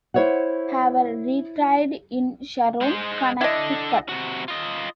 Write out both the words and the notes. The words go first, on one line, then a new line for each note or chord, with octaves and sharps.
Haver retired in Sharon, Connecticut.
E4 C5 C#5 E5 F#5
G#3 C5
D3 D4 E4 D#5
C3 F#4
F4 D#5